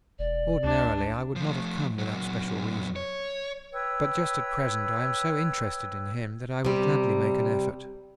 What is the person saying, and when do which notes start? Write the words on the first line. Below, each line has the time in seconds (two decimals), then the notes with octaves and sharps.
Ordinarily I would not have come without special reason, but just at present I am so interested in him that I would gladly make an effort.
0.19 E1 D5
0.64 C#2 D4
1.36 F3 A3
1.99 A#2 F#3
2.96 C#5
3.72 B4 C#5 G5 E6
6.65 C3 G3